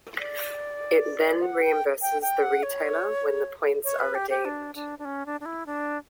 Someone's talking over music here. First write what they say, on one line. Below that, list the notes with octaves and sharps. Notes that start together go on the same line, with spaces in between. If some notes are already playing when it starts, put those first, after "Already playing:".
It then reimburses the retailer when the points are redeemed.
D5
F#5
G5
G5
G5
F#5
C#5
C#5
B4
G4
G4
D4
D4
D4
C#4
D4
D4
E4
D4